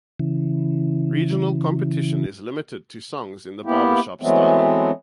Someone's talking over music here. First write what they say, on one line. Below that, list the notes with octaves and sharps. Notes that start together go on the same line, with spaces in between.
Regional competition is limited to songs in the barbershop style.
C#3 E3
A#3 B3 E4 G4
E3 F#3 G#3 A3 B3 C4